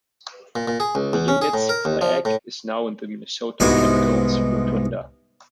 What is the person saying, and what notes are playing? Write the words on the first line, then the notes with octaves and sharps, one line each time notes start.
The unit's flag is now in the Minnesota Capitol's rotunda.
A#2
A#2
G#4
C#2
E2
C#4
G#4
A2
A#4
D#2
F3
A2
C2 G#2 B3 F#4 G#5